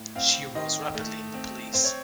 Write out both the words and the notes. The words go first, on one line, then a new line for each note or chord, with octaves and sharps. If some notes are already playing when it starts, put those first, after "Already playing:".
She rose rapidly in the police.
Already playing: A2
C4 F5
D#3 D#5
A3
C4
C4 C5
C#5